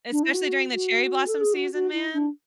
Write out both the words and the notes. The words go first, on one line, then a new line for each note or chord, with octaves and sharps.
Especially during the cherry blossom season, man.
D4
E4
F#4
F#4
A4
G#4
F#4
F#4
E4
D4